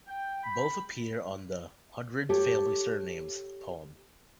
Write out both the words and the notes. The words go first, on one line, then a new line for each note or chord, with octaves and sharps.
Both appear on the "Hundred Family Surnames" poem.
G5
B5
G4 A4 C#5